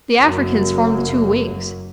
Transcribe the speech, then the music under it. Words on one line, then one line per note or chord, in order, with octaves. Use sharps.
The Africans formed the two wings.
F#1 F#2 F#3 A#3